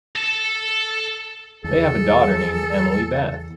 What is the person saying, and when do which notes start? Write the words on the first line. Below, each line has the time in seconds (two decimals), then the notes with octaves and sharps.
They have a daughter named Emily Beth.
0.15 A4 A5
1.64 E2 G#4 A4